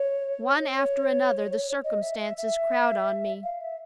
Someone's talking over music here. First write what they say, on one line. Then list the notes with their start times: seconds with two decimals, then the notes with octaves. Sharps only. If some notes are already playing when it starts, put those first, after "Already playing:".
One after another the circumstances crowd on me.
Already playing: C#5
0.78 C#5
1.84 D#5
2.02 E5
2.19 E5
2.37 E5
3.43 F5
3.61 E5